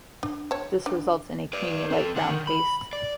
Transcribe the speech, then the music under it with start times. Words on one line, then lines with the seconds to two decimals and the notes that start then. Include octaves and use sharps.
This results in a creamy, light brown paste.
0.23 D4
0.51 C#5 A5
0.86 D4
1.53 B4 D5
1.90 C4 A4
2.16 D3 F#5
2.30 D#3
2.47 B5
2.93 D5